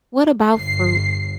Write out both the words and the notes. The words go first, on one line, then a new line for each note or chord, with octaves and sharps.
what about fruit?
G1 C7